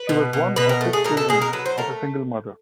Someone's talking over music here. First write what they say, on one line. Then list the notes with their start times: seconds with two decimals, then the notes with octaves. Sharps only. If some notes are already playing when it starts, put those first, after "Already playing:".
She was one of six children of a single mother.
Already playing: B4
0.09 B2
0.33 B2
0.56 B2 B4
0.69 A#4
0.81 A3
0.93 G#4
1.04 B2 A#4
1.17 A4
1.29 B2 G#4
1.42 A#4
1.53 F#3 B4
1.66 C5
1.78 A3 A#4